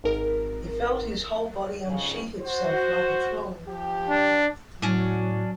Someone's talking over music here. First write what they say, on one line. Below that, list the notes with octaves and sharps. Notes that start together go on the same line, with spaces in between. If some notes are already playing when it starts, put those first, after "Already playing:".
He felt his whole body unsheath itself like a claw.
G#1 A#4
F2 G#2 C#3
F#4 C5
F3 G4
D4
A2 F#3 C#4 D4